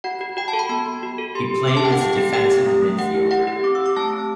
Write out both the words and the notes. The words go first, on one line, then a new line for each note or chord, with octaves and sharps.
He played as a defensive midfielder.
F#4 F#5
F#4
F#4 G5
A5
A4
B5
B3 B5
B3
F#4
A4
G4 C6
G4
G4 D6
A5
C4 G5
F#5
C4 G5
G4
G4 G5
C4
A3
A3
G4 F#5
E4
G4 F#5
G4
C4 D6
E6
G4 D6
A3 A5
C4